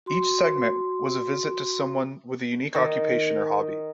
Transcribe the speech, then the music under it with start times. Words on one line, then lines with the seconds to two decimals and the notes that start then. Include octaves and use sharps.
Each segment was a visit to someone with a unique occupation or hobby.
0.06 F#4 C6
2.75 D#3